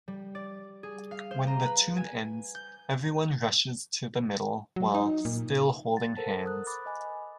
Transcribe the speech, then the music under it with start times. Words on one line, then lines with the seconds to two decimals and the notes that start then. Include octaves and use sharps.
When the tune ends, everyone rushes to the middle, while still holding hands.
0.08 G3
0.35 D5
0.83 G#4
1.11 F5
1.31 C5
1.47 A#5
1.65 B4
1.96 G#5
2.55 G6
4.76 F#3
4.94 D#4
5.25 A#2
5.93 F#5 A6
6.17 A4 A#4 C5 A5
6.46 D#6 F#6
6.67 B5 D6 A6
6.86 D#5 G#5 B5